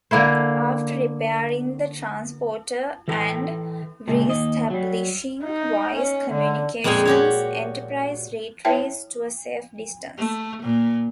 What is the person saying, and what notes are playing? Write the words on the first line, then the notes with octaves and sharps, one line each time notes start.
After repairing the transporter and reestablishing voice communications, "Enterprise" retreats to a safe distance.
D3 A#3 E4 C5
E3 A4 G5 A#5
C#2 A#2 A3
D#2 D#5
F#3 G3
D#4
C#4
D3
F2 A#2 G#3 G5 G#5
F#4 G4 C#5
E4 C#5 E5 G5 A5
A3
A#2